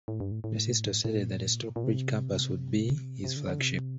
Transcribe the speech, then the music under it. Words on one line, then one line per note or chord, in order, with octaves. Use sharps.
DeSisto stated that the Stockbridge campus would be his "flagship".
A2
G2
A2
A2
A2
A#2
A#2
C3
C3
D3
D3
C3